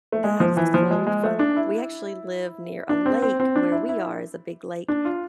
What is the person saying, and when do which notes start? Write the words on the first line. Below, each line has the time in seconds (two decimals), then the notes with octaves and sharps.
That is so fun, we actually live near a lake where we are is a big lake,
0.12 A3
0.24 G#3
0.40 F3
0.57 E3
0.74 F3
0.90 G#3
1.07 G#3
1.24 A3
1.39 D4
1.56 E4
2.89 D4
3.06 C4
3.22 C4
3.40 C4
3.56 D4
3.72 E4
3.89 E4
4.88 D4
5.05 F4